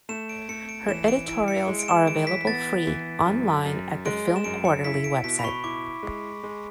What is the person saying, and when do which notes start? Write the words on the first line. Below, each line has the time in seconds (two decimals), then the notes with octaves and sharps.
Her editorials are available free online at the "Film Quarterly" website.
0.09 A3 E7
0.29 D7
0.49 A3 C#7
0.69 D7
0.88 E3 E7
1.08 D7
1.28 E4 D7
1.48 C#7
1.68 G#3
1.79 D7
1.88 E7
2.07 E3 D7
2.27 B6
2.47 B3 A6
2.87 E3
3.26 F#2
3.66 F#2
4.05 G#3 D7
4.36 E7
4.44 F#2 D7
4.65 C#7
4.84 E4 B6
5.04 D7
5.24 B2 B6
5.39 B5
5.44 C#6
5.64 E4 D6
6.03 G#3
6.43 G#3